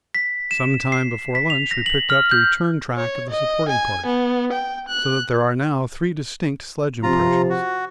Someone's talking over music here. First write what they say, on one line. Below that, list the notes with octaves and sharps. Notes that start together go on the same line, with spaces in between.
Some time before lunch we picked up the return track of the supporting party, so that there are now three distinct sledge impressions.
B6
E7
C7
B6
F7
A#6
F#7
F6
G6
C#5
D#5
G#5
B3
G5
F#6
C3 F3 F4 A#5
F#4